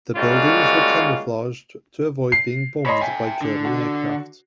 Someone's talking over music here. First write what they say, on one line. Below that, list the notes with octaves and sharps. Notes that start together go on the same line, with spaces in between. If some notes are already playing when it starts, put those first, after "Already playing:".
The buildings were camouflaged to avoid being bombed by German aircraft.
G3 G#3 A#3 C#4 F4 F#4
C7
C#5 D#5 A5 B5 C6
E5 G5 G#5
D3
F#4